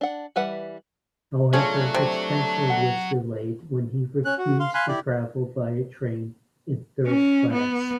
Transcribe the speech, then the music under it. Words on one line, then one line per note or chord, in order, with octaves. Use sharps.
However, his transfer was delayed when he refused to travel via train in third-class.
D4 F#5
E3 G3 B4 E5 F#5
F#3 A3 C#4 D4 F4 G#4
C3
F#5
C#4 F#6
F#4
F5 C6
F5 G#5 B5 C6 F#6
E4 G4 D5
C#4
B3